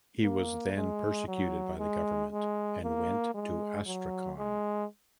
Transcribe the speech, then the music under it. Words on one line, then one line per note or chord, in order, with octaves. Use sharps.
He was then persecuted by the government and went to Astrakhan.
A#3
G#3
F#3
G#3
G#3
A#3
G#3
F#3
G#3